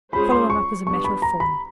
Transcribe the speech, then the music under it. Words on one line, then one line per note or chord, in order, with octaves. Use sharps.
Follow him up as a matter of form.
G#3 C#4 F4 G#4 C5 B5
C6
C#6
G3 B3 D4 C#6
B5
A#5
B5